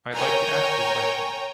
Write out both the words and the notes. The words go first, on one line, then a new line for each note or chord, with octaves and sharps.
I’d like to ask you a question!
A#4 C#5 G5 G#5 A#5